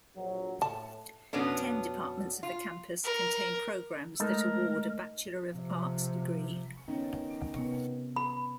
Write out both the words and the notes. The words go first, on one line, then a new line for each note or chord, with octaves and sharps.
Ten departments of the campus contain programs that award a Bachelor of Arts degree.
A#1 F#3
A2 A5
F2 B2 B3 C#4 D4
F4
A#4
G#3 A3 D#4 A4 A#4
C3 F3
D#3 B3 C#4
C3 B3
B5